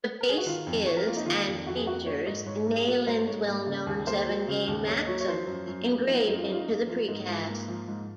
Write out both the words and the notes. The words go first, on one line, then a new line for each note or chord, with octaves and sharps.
The base is and features Neyland's well-known seven Game Maxims engraved into the precast.
A#4
G#4
F#4
D#3 F4
F2
F2 C#5
A#4
A#3 F4
D#4
D#3 F4
F2
F2 F#4
G#4
A#3 F#4
F#3 C#5
G#2 D#5
G#2 C#5
A#3
G#4
F#3 A#4
G#2 C5
G#2 C#5
A#3 A#4
C#3
D#2 G#4
A#3 C5
F#3
C#3
D#2
A#3 C#5
D#5
F#3 C#5
C#5
F3 C5
F#2
F#2
A#3
F3 D#4
F#2 D#4
F4
D#4
F#2 F4
D#4
A#3
F3 F4
G#2 D#4
G#2 F4
A#3
F3
G#2